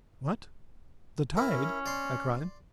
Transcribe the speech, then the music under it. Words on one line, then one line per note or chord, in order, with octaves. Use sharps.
"What! the tide!" I cried.
E4 A#4
C#4
D5 C6